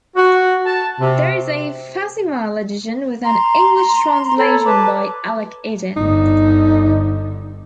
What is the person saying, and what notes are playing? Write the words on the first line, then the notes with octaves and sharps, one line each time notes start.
There is a facsimile edition with an English translation by Alec Eden.
F#4
A5
C3
A#5 C6
A4 C#5 A#5 B5
B4 A5 D6
G1 D3 D#4